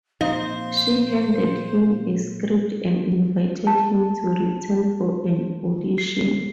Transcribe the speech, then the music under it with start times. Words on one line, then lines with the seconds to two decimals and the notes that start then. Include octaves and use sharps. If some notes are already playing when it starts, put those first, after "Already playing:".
She handed him a script and invited him to return for an audition.
0.21 A#2 F3 C4 D#4 C5 F5
3.67 A5
5.98 C7